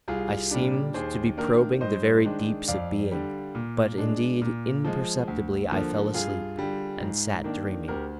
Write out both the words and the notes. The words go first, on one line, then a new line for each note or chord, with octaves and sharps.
I seemed to be probing the very deeps of being, but indeed imperceptibly I fell asleep, and sat dreaming.
C2 F4 G#4
A#2 G3 D4
D#2 G#4 C5
D#3 A#3 D4 A#4 D5
G2 C5 D#5
D#3 G#3 D4
F2 D5 F5
D3 G3
A#2
G#3 D4
A#2
F3 G#3
D2
D3 F3 A#3
G2 F4 G#4
D3 G3
G#2
D#3 A#3 D4
D2 G4 A#4